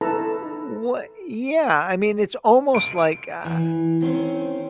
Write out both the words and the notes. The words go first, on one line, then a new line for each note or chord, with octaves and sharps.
What Yeah, I mean, it's almost like, uh
E4 A4 B4 A5 A#5
D7
E3
D#3 C4 C#4 C5